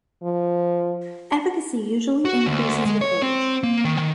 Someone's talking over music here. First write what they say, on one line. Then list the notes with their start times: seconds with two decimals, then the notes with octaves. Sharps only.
Efficacy usually increases with age.
0.23 F3
2.25 F#4
2.47 D2
2.85 G#3
3.01 C#5
3.22 C4
3.63 A#3
3.85 D#3
3.98 D#3